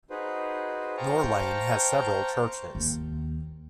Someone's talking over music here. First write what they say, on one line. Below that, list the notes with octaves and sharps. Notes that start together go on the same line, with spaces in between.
Norlane has several churches.
D#4 F#4 G#4 B4 C5
C5 F5 G5 A5 A#5 C#6
D#2